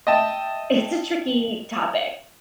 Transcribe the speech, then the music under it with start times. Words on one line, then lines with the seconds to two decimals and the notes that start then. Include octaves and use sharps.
it's a tricky topic,
0.07 D#5 E5 G5 A5